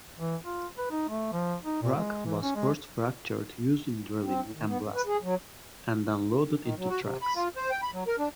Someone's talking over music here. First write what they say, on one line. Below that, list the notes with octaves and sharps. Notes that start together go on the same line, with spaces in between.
Rock was first fractured using drilling and blasting, and then loaded into trucks.
E3
F4
B4
D#4
A3
F3
D#4
A#2
G#3
E3
C#4
G#3
C4
A2
D#3
B3
F#2
B4
G#4
F#3
D#3
F#3
F#4
C3
B5
F4
C5
G5
B5
F#3
A#4
D4